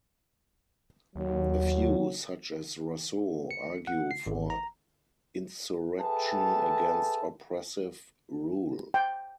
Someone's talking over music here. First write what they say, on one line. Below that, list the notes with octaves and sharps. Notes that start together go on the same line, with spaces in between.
A few, such as Rousseau, argue for insurrection against oppressive rule.
D#2 F#3
C#7
F#5
C7
G#1
A#5
G#4 A4 B4 E5 G5 A5
G5